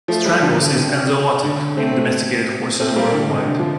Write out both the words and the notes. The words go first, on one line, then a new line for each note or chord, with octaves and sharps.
Strangles is enzootic in domesticated horses worldwide.
F3 A3
E3 G3
D3 F3
D3
C3
D3
A3 C4
A3 C4
G3 A#3
D3
C3
D3
F3